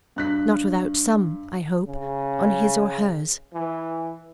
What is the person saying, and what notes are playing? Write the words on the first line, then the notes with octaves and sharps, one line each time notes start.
Not without some, I hope, on his or hers.
G2 F#6 B6
C#3
E3